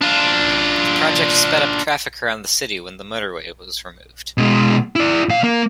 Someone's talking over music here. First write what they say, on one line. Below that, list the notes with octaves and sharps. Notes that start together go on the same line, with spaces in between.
The project sped up traffic around the city when the motorway was removed.
D4 F4
B2 G#3
E4 D5
A#2 F5
A#3